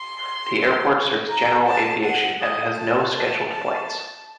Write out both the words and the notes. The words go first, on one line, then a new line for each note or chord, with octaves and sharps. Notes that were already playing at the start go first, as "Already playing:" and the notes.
The airport serves general aviation and has no scheduled flights.
Already playing: C6
A#5
A5
F#5
D#5
A5
A5
A5